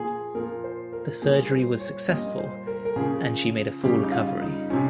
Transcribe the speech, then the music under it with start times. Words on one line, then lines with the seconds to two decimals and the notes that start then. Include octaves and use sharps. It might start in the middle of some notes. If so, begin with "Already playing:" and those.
The surgery was successful, and she made a full recovery.
Already playing: A#2 F3 G#4
0.35 A#2 F3 A#4
0.64 C5
0.93 A#4
1.22 A#2 G3 G#4
1.51 C5
1.80 C#5
2.09 A#2 G3 D#5
2.38 C5
2.67 A#4
2.85 A#4
2.96 C#3 F3 G#4
3.83 C#3 G3 G4
4.03 D#4
4.12 F4
4.42 D#4
4.70 C3 F3 C#4